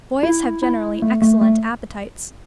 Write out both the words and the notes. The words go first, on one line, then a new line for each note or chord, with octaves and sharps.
Boys have generally excellent appetites.
E4
E4
A3
A3
A3